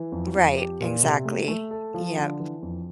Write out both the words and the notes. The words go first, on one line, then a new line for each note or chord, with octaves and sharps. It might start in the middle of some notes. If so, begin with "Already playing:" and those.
Right, exactly, yep,
Already playing: E3
F2
F2
G4
A#2
C3
A3
A3
A4
F3
D3
E3
F2